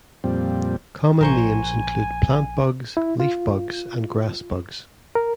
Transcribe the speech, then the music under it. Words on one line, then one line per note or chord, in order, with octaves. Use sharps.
Common names include plant bugs, leaf bugs, and grass bugs.
F2 A#2 G3 C4
A#1 A#4 C5 G#5 C#6
E4
F4
A#4